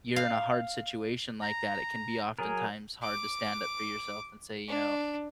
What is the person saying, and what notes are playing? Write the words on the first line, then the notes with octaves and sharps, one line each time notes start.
you're in a hard situation like that, it can be oftentimes hard to stand up for yourself and say, you know,
F5
A#5
F#3 G#4 A#4
D6
D4